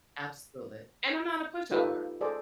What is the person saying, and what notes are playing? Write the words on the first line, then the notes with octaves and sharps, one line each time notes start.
Absolutely, and I'm not a pushover.
D#4 F4 G4 A4 B4
G#4 A4 C5 D5